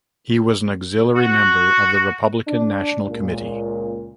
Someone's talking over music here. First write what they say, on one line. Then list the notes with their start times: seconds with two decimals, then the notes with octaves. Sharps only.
He was an auxiliary member of the Republican National Committee.
1.16 F#4
2.47 D4
3.05 C#2 A#2